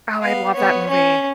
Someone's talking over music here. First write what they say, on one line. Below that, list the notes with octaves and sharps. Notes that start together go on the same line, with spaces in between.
Oh, I love that movie.
B3 F5
B3 C#5
C#4